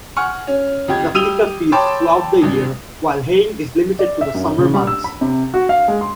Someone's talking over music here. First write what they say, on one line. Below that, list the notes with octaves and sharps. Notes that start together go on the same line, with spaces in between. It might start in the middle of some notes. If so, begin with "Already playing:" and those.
The pika feeds throughout the year while haying is limited to the summer months.
F#5 G#5 C#6 F6
C#4
F2 G4 G#6
G3 D#6 E6 D#7 F7 G7
C#5 G5 A5 B5 C6 D6
G#1 G2
D5
E5
F#2
C#3
G3
E6
B5
C3
F#4
F5
G#3
C6